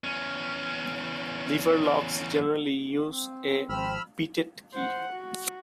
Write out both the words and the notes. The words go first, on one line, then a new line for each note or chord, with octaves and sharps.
Lever locks generally use a bitted key.
E2 C#4
C4
G#1 F3 C4 B5 E6 F6
C5 F#5
F#4